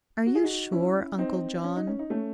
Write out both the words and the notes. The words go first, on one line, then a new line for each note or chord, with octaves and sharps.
"Are you sure, Uncle John?"
F#4
G#4
D#4 F#4
C#4 E4
C4 D#4
C#4
D#4
C#4
D#4
A3 C#4